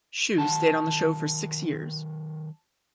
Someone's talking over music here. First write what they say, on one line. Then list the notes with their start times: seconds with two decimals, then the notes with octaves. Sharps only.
Shue stayed on the show for six years.
0.38 D#3 F#3 F#5 A5